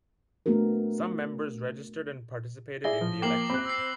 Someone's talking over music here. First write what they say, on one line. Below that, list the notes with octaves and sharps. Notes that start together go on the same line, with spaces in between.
Some members registered and participated in the elections.
A3 B3 D4 F#4 A#4
E4 G#4 D5 A#6 G7
F3
A#3 G5 D6 C7 F#7
C4 B5 F#6
E6 C7